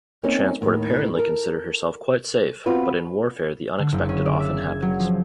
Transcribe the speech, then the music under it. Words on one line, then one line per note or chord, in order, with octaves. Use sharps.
The transport apparently considered herself quite safe-but in warfare the unexpected often happens.
A#3 C4 C#4 D#4
D#2 A2 D#3
A4 A#4
B3 C4 F4 F#4 B4
D3
F#1
C#4
D5
E5
G#6
F#3
F3